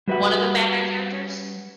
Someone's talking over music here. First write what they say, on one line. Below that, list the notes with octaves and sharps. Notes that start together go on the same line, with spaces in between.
One of the bad guy characters?
G3 F#4 B4 D#5 E5 F#5